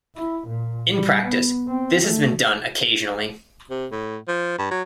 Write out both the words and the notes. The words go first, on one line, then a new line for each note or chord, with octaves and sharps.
In practice this has been done occasionally.
E4
A#2
G3
B3
C4
A3
C3
A2
F3
G2
F#3